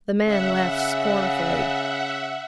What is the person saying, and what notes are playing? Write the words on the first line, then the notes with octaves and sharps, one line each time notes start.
The man laughed scornfully.
C#3 E5 F#5